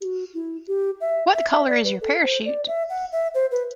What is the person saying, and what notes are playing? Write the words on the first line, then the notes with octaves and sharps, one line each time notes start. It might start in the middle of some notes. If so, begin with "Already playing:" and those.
What colour is your parachute?
G4
F#4
E4
G4
E5
E5
E5
D5
B4
A4
C5
D5
E5
F#5
E5
C5
B4